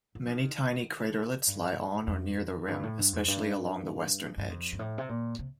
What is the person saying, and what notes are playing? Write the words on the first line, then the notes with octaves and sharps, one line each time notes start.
Many tiny craterlets lie on or near the rim, especially along the western edge.
F3
D#3
G2
F2
G2
A2
G2
F2
G2
G2
F2
G2
A2
C3
A#2
C3